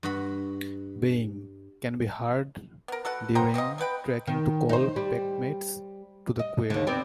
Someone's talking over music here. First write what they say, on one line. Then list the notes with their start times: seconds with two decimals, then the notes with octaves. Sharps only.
Baying - can be heard during tracking to call pack-mates to the quarry.
0.03 G2 F#4 B5
2.88 B3 A#4
3.05 F#4 A4 B4 F#5
3.35 B3 C5 G5 A#5
3.54 B3 C4 F4 D#5
3.78 A3 B3 B4 G5
4.27 D#3
4.69 D#4 C5
4.96 G3
6.39 D#5
6.70 D#2 D3
6.87 B3 C4 D5